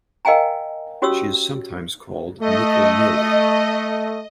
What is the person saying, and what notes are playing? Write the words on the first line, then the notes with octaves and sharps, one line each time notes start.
She is sometimes called "Nickel Neelie".
A#4 D#5 F5 G5 G#5 A#5
C#4 F#4 G4 C#5 D#6 E6
A3 D#5